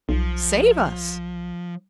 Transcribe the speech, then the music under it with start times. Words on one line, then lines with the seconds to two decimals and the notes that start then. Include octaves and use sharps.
Save us!
0.09 B1 F3